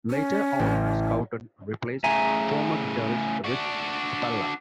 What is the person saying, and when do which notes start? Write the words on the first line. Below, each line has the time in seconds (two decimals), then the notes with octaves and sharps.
Later on Scouten replaced former guitarist Rich Spalla.
0.11 C#4
0.59 A1
2.04 A2 C#3 E5 G#5 A#5
3.44 D4 F#4